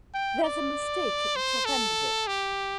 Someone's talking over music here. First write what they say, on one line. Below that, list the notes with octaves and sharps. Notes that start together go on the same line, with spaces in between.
There's a mistake at the top end of it.
G5
D5
C5
A4
G4